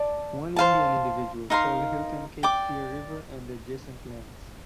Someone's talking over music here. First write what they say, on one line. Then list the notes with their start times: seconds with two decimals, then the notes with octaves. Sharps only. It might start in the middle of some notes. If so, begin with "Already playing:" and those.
One Indian individual sold Hilton Cape Fear river and adjacent lands.
Already playing: D5 A5
0.56 C5 F5 A5
1.50 D#4 A#4 F5 C6
2.43 D5 G5 D6